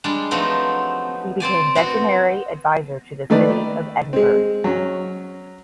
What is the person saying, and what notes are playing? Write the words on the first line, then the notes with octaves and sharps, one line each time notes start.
He became Veterinary Advisor to the City of Edinburgh.
G3 G#3 D4
F3 F#3 A3 B3 C4 D#4
C4 C5 D5 G#5
B3 C4 F#4
D#3 A3 B4 D5
G#3 C4
F#3 C#4